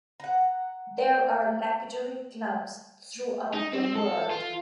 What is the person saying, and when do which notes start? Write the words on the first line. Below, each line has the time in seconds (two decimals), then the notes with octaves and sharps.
There are lapidary clubs throughout the world.
0.20 F#5 A#5
3.54 D#4
3.73 C4
3.95 A4
4.30 F4